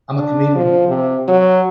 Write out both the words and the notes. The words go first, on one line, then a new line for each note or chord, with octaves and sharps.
I'm a comedian.
D4
F3
C3
F#3